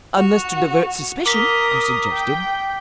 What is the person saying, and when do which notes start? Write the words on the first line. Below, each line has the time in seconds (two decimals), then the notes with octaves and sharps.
"Unless to divert suspicion," I suggested.
0.17 F#4 F7
1.26 A#4 D6 D#6 B6 G7
2.12 G5